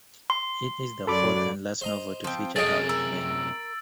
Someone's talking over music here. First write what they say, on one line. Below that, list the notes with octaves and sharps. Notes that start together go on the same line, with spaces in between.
It is the fourth and last novel to feature Harriet Vane.
C6
F#2 F#3 A4 D5 B5 D6
C5 D#5 A#5
F3 C4
F#2 C3 A3 G#4 D#5 A6 D7
A#4 E6